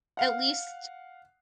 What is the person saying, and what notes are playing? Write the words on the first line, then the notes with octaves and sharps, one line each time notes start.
at least,
F5 F#5